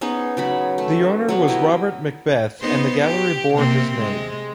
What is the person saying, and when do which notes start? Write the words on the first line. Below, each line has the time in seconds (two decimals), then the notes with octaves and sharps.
The owner was Robert Macbeth and the gallery bore his name.
0.01 B3 C#4 D#4 G#4
0.37 C#3 F#3 B5
0.78 A3
1.29 F#3 B3 D4
1.48 E4 G4 D#5
2.61 B3 D#4 C5
3.03 G4
3.54 C3 A#3 C4
3.98 G#3